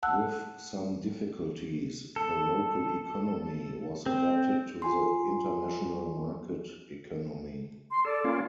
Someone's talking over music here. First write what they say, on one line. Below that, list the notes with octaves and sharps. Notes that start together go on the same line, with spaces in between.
With some difficulties, the local economy was adapted to the international market economy.
F#5 A5 E6 F#6
A4
C4
F4 G#5 C6
C6
A4 D5
A#3 C#4 F4